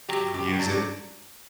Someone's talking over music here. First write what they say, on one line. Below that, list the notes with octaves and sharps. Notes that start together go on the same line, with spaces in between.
Go use it.
F#3 G4
B2 G4
F#4
F#3 D4
D4